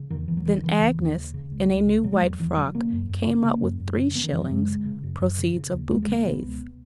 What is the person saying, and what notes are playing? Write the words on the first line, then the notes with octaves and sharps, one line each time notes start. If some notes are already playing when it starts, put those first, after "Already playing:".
Then Agnes, in a new white frock, came up with three shillings, proceeds of bouquets.
Already playing: C#3
E2 D#3
E2 E3
F#3
C#3 E3
D#3
C#3 E3
D#2
D#2
C#3
C#3
C#2
C#2
C#3
B2 F#3
G#3
E2 F#3
E2 E3
B2 F#3
C#3 A#3
F#2
F#2
C#3
C#3 A#3
F#2
F#2
C#3
C#3 B3
D#3
F#2 E3
F#3
F#2 G#3
C#3
C#3
F#2
F#2
C#3
C#3
D#2
D#2 G#3
G#3
C#3
A#3
B2 B3
C#2